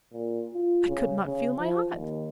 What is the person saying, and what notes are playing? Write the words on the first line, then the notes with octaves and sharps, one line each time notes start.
I could not feel my heart.
A#2
F4
C#3
C#3
F3
D#2